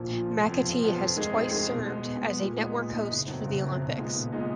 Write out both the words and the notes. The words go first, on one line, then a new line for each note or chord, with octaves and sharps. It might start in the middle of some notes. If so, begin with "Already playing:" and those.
Macatee has twice served as a network host for the Olympics.
Already playing: A#1 A#2 F3
A#2 F3
F1
F2 F3 B3
F1
F2 F3 B3
F2
D#3 G#3 D#4 G#4
F2
D#3 G#3 D#4 G#4
B2
G#3 B3
B2
G#3 B3
A#2
G#3 B3 D#4
A#2
G#3 B3 D#4
F#1
F2 D#3 F#3 B3
F#1
F2 D#3 F#3 B3
B1
A#2 G#3 B3 D#4
B1
A#2 G#3 B3 D#4